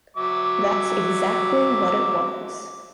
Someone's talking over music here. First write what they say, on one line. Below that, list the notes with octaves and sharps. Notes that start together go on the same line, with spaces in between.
That's exactly what it was.
F#3 E5 D6